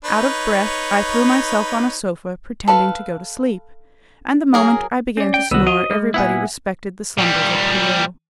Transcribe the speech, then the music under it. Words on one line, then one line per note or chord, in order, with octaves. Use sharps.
Out of breath, I threw myself on a sofa, pretending to go to sleep, and the moment I began to snore everybody respected the slumbers of Pierrot.
D#4 B4 C#5
A4 B4 F5
F#3 G#4 A#4
C#4 D5
G5
C2 D#3 B3 F#4 E6
F#4 D#5
G#3
A#2 B3 E4 E5 F#5 G#5
A#2 G3